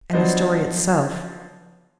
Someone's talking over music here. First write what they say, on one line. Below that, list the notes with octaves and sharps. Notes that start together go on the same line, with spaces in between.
And the story itself.
F3 F#3 B3 D4 C5 D#5